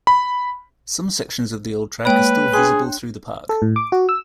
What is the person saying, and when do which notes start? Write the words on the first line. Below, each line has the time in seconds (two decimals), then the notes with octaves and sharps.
Some sections of the old track are still visible through the park.
0.07 B5
2.05 G#3 A#3 B4 C#5 G5 B5
2.54 D4 G#4 G5 C6 F#6
3.49 A4
3.62 A2
3.76 D6
3.92 F#4
4.09 E6